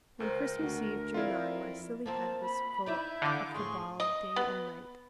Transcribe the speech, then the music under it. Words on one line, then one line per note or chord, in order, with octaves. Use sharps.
When Christmas Eve drew nigh my silly head was full of the ball day and night.
C#2 A#4 C5
D2 F#4
F2 E4 F4 D5
F3 A#3 C4 A5
B5
D#4 E4 D5 E5 G6
D3 E3 F5 D6
A2 F3 G#4 C6 C#6
D#5
B3